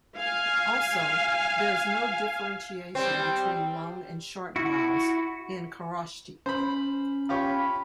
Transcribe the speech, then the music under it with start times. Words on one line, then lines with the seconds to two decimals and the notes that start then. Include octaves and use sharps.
Also, there is no differentiation between long and short vowels in Kharosthi.
0.16 F5 G#5
2.95 G3 C4
4.56 E4 F#4
6.46 C#4 C5 B5
7.29 F4 G4 C#5 B5